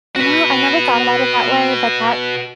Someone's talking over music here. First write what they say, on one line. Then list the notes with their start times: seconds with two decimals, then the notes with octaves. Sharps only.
You know, I never thought about it that way, but that
0.16 F#4 B4